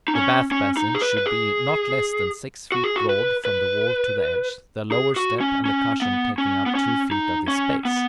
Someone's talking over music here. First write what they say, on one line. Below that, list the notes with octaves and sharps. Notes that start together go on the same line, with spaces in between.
The bath basin should be not less than six feet broad from the wall to the edge, the lower step and the "cushion" taking up two feet of this space.
D#4
C#4
C#4
D#4
G#4
B4
B4
G#4
F#4
G#4
F#4
B4
B4
G#4
F#4
C#4
C#4
B3
C#4
B3
C#4
D#4
C#4
B3